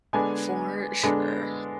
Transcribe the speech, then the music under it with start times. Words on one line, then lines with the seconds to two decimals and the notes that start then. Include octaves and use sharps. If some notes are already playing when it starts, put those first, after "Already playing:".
For sure.
0.13 D3 G#3 B3 D4 G#5
1.03 D3 G#3 B3 D4